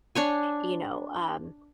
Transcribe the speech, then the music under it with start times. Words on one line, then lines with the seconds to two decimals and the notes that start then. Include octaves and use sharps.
you know, um,
0.15 D4 C#5 G#5